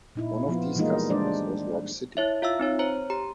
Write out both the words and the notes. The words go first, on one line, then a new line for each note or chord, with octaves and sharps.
One of these customers was Rock City.
A#2 D#4 E4
F3 B3 F4
E3 G3 G#3 A#3 D#4 F4
G3 G#3 D4 C5 D5
E4 C#5 E5
F4 E5 F5 E6
C4 D#4 C#5
C5 C#5 A#5
G4 A#5